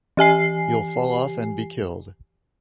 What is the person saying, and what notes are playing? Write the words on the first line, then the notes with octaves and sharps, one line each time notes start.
You’ll fall off and be killed.
E3 G4 G#5 C7